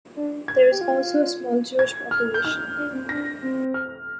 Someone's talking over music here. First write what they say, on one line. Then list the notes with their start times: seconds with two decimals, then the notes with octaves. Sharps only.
There is also a small Jewish population.
0.16 D4
0.48 G#6
0.71 G4
0.81 F4
1.79 G#6
2.11 F6
2.34 G6
2.44 D#4 F6
2.77 D4
2.93 C4
3.09 D4 A#6
3.42 C4
3.74 F6